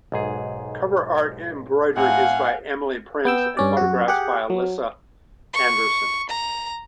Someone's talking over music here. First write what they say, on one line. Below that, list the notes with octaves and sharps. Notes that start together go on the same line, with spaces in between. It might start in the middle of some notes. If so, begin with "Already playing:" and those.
Cover art embroidery is by Emily Prince and photographs are by Alissa Anderson.
B1 G#2 G#4
A2 C4 C#5 F5 F#5 G#5
B3 G5 E6
G2 C#4 D5
F#2 F#4
G4 G#4 F#5
F#3
C#6
A#5